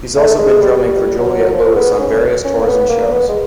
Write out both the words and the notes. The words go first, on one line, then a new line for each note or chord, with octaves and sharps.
He's also been drumming for Juliette Lewis on various tours and shows.
A3
G#3
G3
G3
F#3
F3
B3
C#4
C#4
A#3
B3
A#3
B3
G#3